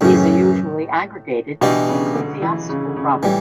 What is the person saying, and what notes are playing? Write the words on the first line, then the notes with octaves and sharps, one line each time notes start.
These are usually "aggregated" to an ecclesiastical province.
F#2 A2 C#3 E3
B2 E3 B3 D4 G4
C#3
D3
E3
C#3
D3
C#3
A2 E3 G3